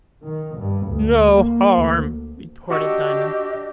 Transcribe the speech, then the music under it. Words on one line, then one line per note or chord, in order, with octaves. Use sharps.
"No harm?" retorted Diamond.
D#3
G2
D2
A#3
D2
D4 F#4 G4 D#5 C#6 E6